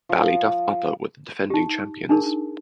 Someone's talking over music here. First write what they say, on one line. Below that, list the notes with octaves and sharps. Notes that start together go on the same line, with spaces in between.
Ballyduff Upper were the defending champions.
F3
D#4 G4
D4 D#4 G#4 A#4